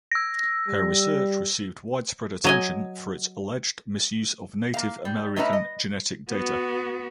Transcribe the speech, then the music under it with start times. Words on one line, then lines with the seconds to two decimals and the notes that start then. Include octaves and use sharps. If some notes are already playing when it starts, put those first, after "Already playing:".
Her research received widespread attention for its alleged misuse of Native American genetic data.
0.11 E6 A#6
0.68 G3
2.44 F#3 D#5 G#5
4.74 A#3 F5
5.05 G3
5.36 A3 C#4 D#4 E4 B4 A#5
5.53 D#5
6.31 B3 F#4